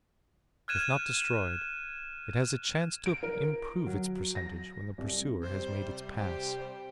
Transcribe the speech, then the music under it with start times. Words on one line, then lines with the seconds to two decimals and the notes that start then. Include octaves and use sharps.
"If not destroyed, it has a chance to improve its percentage when the pursuer has made its pass."
0.68 F6 F#6 G#6 D#7 E7
3.06 D7
3.23 A#4
3.86 F#3
4.35 A#6
4.98 C2
5.43 C3 G3 C5
6.18 G4 C5